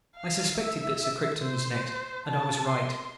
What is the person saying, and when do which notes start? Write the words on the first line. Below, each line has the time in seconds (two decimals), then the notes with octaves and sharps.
I suspected that Sir Crichton was next, and I was right.
0.17 F5
0.58 E5
1.42 C5
2.26 A5
2.68 C6